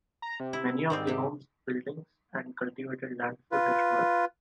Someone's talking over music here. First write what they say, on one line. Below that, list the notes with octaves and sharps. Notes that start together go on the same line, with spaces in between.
Many of the homes, buildings and cultivatable lands were destroyed.
A#5
C3
E4
G#2 D#3 G3 C4
C3 G4
F4 B4